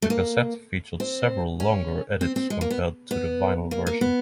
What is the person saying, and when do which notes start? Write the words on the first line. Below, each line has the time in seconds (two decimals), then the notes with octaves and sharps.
The cassette featured several longer edits compared to the vinyl version.
0.02 A3
0.10 A#3
1.00 C4
1.60 C#4
2.21 C4
2.36 C4
2.50 G#3
2.61 A#3
2.70 B3
3.11 B3
3.71 A#3
3.87 A#3
4.01 B3